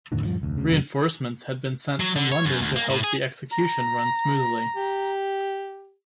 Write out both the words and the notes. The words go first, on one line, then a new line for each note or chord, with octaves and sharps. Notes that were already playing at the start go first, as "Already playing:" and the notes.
Reinforcements had been sent from London to help the execution run smoothly.
E2 A2 D3 D#3
D#1 G2 F3
F1 D2
D2 C#3
F2 C3 D#3 F#3
F#3
D3
C#5
F#2
D2
A#3
A2
G#4
A#5
G4